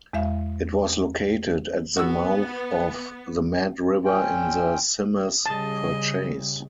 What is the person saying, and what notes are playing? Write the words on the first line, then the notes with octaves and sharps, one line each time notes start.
It was located at the mouth of the Mad River in the Symmes Purchase.
E2 G#3 E5 F5
B3 F#4 E6
A#2 C#4 G5
C#3 G3 G#4 D#5 A5